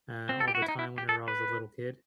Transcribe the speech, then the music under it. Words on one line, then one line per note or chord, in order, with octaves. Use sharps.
uh, all the time whenever I was a little kid,
C4
A4
G4
F#4
E4
D#4
E4
G4
A4
B4